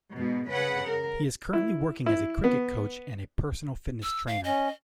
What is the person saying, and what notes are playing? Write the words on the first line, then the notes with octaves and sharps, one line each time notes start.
He is currently working as a cricket coach and a personal fitness trainer.
G#2 B2
C#3 B4 F#5
A#4
E4
E4
B3
E6
F5
C#4 D#5